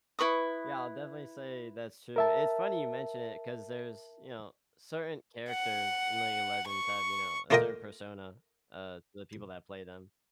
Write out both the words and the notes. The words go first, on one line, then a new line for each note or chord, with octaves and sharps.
Yeah, I'll definitely say that's true. It's funny you mention it 'cause there's you know, certain characters in League of Legends have, you know, a certain persona, uh, to the people that play them.
E4 B4 C#6 D#6
A#4 E5 A5
F#5
C#6
A3 A#3 F4 A#4 D#5 G5